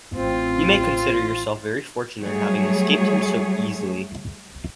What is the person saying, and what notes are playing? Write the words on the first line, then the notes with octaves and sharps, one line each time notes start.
You may consider yourself very fortunate in having escaped him so easily.
A1 C4 F4
F#3 G3 A3 G#4 C#5